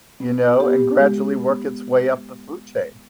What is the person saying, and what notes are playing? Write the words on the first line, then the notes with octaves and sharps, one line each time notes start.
you know? And gradually work its way up the food chain."
B3
B3 G4
G#3
B3